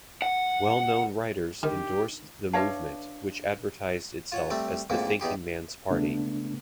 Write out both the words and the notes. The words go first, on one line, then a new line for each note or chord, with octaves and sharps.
Well-known writers endorsed the movement, which advertised itself as the thinking man's party.
F#5
D#3 D4 D#4 G4 D#5
D4 B4 C#5 E5 F5 A5
F4 C#5 F#5
G3 A3 C4
A1 F2 G#2 A#3
E2 D#4 G4 C6
C#3 A3 B3 D4